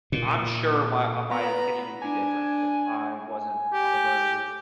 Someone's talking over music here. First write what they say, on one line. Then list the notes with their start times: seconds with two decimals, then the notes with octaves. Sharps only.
I'm sure my, uh, my opinion would be different, if I wasn't on the verge of
0.12 A#2
1.31 B3 A#5 B5
2.02 D4 G#5
3.31 G#5
3.73 G4